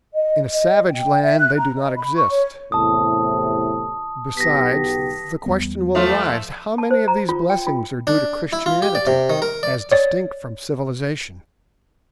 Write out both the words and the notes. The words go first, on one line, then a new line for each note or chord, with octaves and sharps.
In a savage land they do not exist. Besides, the question will arise: How many of these blessings are due to Christianity as distinct from civilization?
D#5
D#5
G5
E5
F#6
A#5
D#5
B5
C#6
C#5
E2 A2 C3 A5 D#6
B1 B3 G4 A#6 B6
E2 G3 B3
F3 A3 F4
A5
C5
A#5
F4
G5
F4
D4
E4
F4
G4
D5
C3
D#3
A#4
D5
C#5 D5